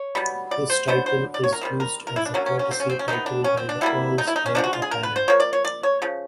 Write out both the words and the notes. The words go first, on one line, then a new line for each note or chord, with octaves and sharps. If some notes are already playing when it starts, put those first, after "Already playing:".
This title is used as the courtesy title by the Earl's heir apparent.
Already playing: C#5
B2 G3 B3
D5
C5
D3 F#3 B3 C5
C5
D5
C#5
A#4
D#3 G3 C4
A#4
A#4
E4
D4
D3 F#3 A#3 C#4
C#4
C#4
C4
C#4
C4
C#4
C3 D#3 G#3 B3 D#4
D4
C#4
C4
D4
B2 G3 A#3 E4
D#4
E4
D#4
C#4
D3 F3 G#3 D4
F#4
F4
G#4
A#4
B4
C5
F3 A#3 C#5
D5
C#5
D5
C#5
C#3 F3